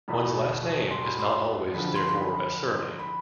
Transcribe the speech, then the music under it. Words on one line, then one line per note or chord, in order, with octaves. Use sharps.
One's last name is not always, therefore, a surname.
E1 E2 B2 B5
C6
B5
C6
F2 D3 F3 B5
C6
B5
B5